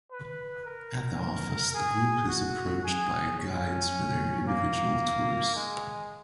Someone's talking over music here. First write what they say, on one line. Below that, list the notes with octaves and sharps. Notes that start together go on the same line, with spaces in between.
At the office, the group is approached by guides for their individual tours.
B4
A#4
G#4
F#4
G#4
C#4
A#3
G#3